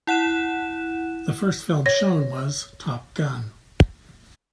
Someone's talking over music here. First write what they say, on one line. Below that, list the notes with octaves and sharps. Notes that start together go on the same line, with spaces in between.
The first film shown was "Top Gun".
E4 F#5 F#6 E7
C#5 A#6